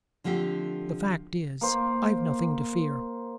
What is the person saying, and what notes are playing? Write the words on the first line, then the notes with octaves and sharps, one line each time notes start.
The fact is, I've nothing to fear.
D3 F3 A3 C4 G4
A#3 C5